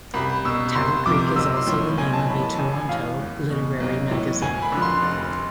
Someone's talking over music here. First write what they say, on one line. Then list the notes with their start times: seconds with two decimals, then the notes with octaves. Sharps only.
"Taddle Creek" is also the name of a Toronto literary magazine.
0.14 C2 B5
0.44 B2 E6
0.75 C2 C6
1.06 C3 F3 D6
1.36 B1 E6
1.57 C6
1.67 A2 F3
1.98 B1 G#5
2.13 A5
2.28 A2 E3 B5
2.43 A5
2.58 A1 G#5
2.89 A2 E3 F5
3.19 E2
3.50 B2
3.80 B1
4.11 A2 E3
4.42 D2 G#5
4.62 B5
4.72 D3 F3
4.82 C6
5.02 F1